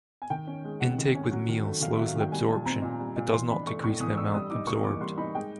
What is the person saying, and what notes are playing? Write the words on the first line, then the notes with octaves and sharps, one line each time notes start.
Intake with meals slows the absorption, but does not decrease the amount absorbed.
G#5
D#3 G5
C#4
G#3
C3 F#5
D#3
C#4
F#3
D#3
A3
D#3 F5
E5
F#3
F5
D#3 G5
G3 G#5
A#2 A5
C4 A#5
A#2
G3
A#2
E3 C6
D4 B5
A3 C#6
A2 C#6
E3 D#6
D4 E6
G3 D#6
D#4 D6
A#3 C#6
E3 D6
G3 C6
D#4 B5
G#3 G5